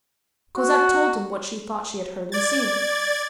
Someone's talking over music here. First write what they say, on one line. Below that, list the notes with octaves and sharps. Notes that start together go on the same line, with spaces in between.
Cosette told him what she thought she had heard and seen.
F#4
D5 G#6 A6